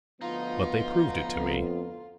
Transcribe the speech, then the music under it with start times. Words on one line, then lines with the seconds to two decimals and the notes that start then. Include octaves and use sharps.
But they proved it to me.
0.21 D2 F3 B3 D#4 F4
1.34 F2